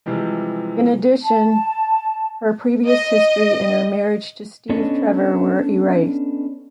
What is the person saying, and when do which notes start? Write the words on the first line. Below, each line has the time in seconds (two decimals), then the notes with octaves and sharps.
In addition, her previous history and her marriage to Steve Trevor were erased.
0.06 C3 E3 F3 G3 G#3
1.23 A5
2.87 D#5
4.69 B3 C#4 D4 A4 C#5 D#5